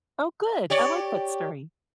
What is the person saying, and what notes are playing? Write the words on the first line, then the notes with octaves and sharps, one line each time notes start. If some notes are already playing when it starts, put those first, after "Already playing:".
Oh, good. I like that story.
G4 C#5 D5